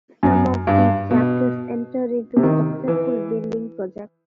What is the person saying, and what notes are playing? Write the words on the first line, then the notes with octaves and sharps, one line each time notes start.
Some of these chapters entered into successful building projects.
F#2
G2
B2
C3
D#3
E3